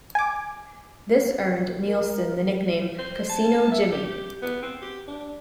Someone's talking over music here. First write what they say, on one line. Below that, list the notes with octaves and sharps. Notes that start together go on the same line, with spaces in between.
This earned Nielsen the nickname "Casino-Jimmy".
G#5 D6
A#4
C5
A5
E5
G4
G4
B3
C4
G4
D4